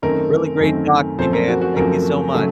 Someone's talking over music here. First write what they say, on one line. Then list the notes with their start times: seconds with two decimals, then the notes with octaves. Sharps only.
Really great talking to you man, thank you so much.
0.02 F#2 D#3 A3 C4 A#4
0.60 F#2 D#3 A3 C4
1.18 F#2 F3 A3 C4 C5
1.33 A#4
1.48 F#4
1.61 F#4
1.76 F#2 F3 A3 C4 A#4
2.35 C#3 F#3 A3